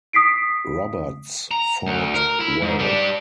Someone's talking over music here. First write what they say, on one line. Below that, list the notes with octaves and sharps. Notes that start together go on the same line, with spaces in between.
Roberts fought well.
D#6 B6 C7 D7
A#5
D2
A#4
E4
G#2
G3 D4